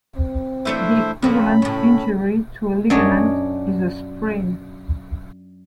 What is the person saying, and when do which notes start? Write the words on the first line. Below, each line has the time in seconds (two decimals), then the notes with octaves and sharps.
The equivalent injury to a ligament is a sprain.
0.16 C4
0.65 E3 A3 D4 E4 C5 E5
1.22 F2 A#2 C#4 B5
1.62 A2 C#3
2.90 F#2 D4 C#5 D#5